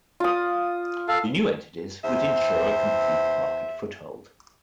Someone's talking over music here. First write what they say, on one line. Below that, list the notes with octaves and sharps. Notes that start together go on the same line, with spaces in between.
The new entities would ensure a complete market foothold.
F4 D#6
A4 F5
E2 C5 E5